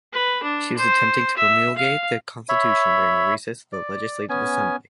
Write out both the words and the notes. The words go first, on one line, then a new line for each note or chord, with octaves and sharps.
She was attempting to promulgate the constitution during the recess of the legislative assembly.
B4
D4
C5
E5
F5
C#5 E5 B5
D5
B3 C#4 G#5